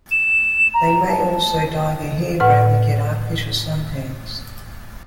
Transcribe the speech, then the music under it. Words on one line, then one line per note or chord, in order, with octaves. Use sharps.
They may also dye their hair brown and get artificial suntans.
E7
A#5
A5
A2 B4 F#5 F6